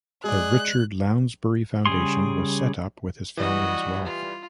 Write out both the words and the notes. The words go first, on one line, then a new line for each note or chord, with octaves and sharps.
The Richard Lounsbery Foundation was set up with his family's wealth.
G#3 G#4 D5 F#6
C#3 G3 G#4 C6
E3 G3 F#4 D#5
F4